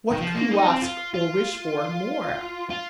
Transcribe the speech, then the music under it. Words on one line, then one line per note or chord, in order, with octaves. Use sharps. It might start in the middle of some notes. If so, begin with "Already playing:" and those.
What could you ask, or wish for, more?
D#3
F3
A#3
D#4
C4
F4
F4
F4